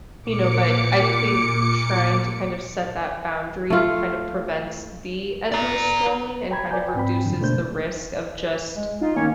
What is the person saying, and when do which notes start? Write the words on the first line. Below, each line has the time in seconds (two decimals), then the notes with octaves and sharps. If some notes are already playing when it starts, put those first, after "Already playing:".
You know, but I think trying to, kind of, set that boundary, kind of, prevents the endless scrolling and, kind of, reduces the risk of, just,
0.21 A#2 D6 C#7
3.70 A3 F4
5.52 D5 A#5
6.50 C#5 G5 A#5 B5 G#6
6.71 B4 D5 G5 G#5 G6
6.95 G#2 C4 G5 B5
7.25 F#2 D3 F3
7.40 B2 A3 A#3 D4 C5 G6
8.75 G#3
9.01 D#4 F4
9.17 D#3 A#3 C#4 C#5